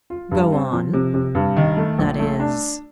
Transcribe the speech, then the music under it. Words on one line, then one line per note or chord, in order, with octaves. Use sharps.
"Go on--that is?"
F4
G2
C4
F3
C3
C3
G2
D#3
A3
A#1
A3
D4